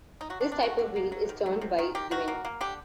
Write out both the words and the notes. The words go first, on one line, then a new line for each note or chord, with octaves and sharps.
This type of wheel is turned by wind.
D#4
F#3 F#4
D4
D#3
D4
A3 F#4
D3
A#3
F#3
D#3
F#3
C3
D#3
D#3 G4
D#3 F#4
A#3
A#3
D3 G4